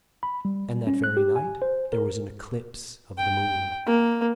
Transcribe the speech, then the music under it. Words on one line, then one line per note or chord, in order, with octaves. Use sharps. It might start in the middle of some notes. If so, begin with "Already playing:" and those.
And that very night there was an eclipse of the moon.
B5
G3
C#4
F#6
G4
G#5
C5
A#4
G5
A#3